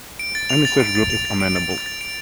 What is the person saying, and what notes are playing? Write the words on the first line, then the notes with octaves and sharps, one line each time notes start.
Any such group is amenable.
D7
A6
F7
A6
D7
A6
F7
A6
D7
A6
F7
A6
D7